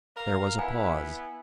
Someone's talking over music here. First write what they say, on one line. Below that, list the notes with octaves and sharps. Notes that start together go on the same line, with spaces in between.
There was a pause.
A#4 F5
B3 E4 F#5 G#5